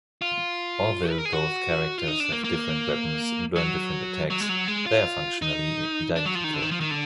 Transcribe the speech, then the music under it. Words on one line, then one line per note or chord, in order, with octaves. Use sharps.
Although both characters have different weapons and learn different attacks, they are functionally identical.
F4
B4
A#4
G#4
F#4
F4
D#4
D4
A#3
A#3
F#3
F#3
G#3
F#3
G#3
F4
D#4
D4
F#3
F3
D#3
D3
D#3
F3
D#3
D3